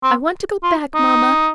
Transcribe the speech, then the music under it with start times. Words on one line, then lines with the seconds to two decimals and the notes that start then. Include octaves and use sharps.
I want to go back, mamma.
0.04 C4
0.63 F4
0.94 D#4